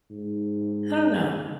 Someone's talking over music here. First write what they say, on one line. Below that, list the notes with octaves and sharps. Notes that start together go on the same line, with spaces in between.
I don't know.
G#2